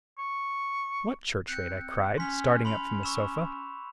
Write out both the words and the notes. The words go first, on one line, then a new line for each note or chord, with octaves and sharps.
"What church-rate?" I cried, starting up from the sofa.
C#6
C4 F#6 G6 C#7
C#4 C6 B6
C#4 B5 C6 F7
C#6 E6 E7